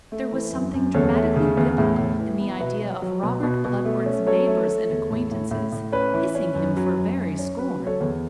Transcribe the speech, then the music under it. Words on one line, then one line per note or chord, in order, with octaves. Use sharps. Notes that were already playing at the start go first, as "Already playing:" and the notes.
There was something dramatically biblical in the idea of Robert Bludward's neighbours and acquaintances hissing him for very scorn.
A3
E3
F#2
F#2
E2 A4 C#5
A3
C#3
E2
A2
A2
E3
B3
B2 B4 E5
F#3
F#3
B2
B2
B2
A3
C#4
F#3 A4 C#5
A3
A3
E2
A2
A2
A2
A2
C#4 B4
E3
C#4
F#2
F#3
F#2
F#2
C#4
F#3 B4
F#3
A4 C#5
E2